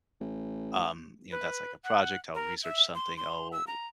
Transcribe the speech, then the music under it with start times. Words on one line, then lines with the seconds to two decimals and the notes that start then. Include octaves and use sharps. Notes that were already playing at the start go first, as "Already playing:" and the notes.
um, you know, that's like a project. I'll research something, I'll
0.21 A1
1.31 B4
1.84 F#5
2.35 A#4
2.63 E5
2.95 C6
3.17 C6
3.52 E6
3.67 A#5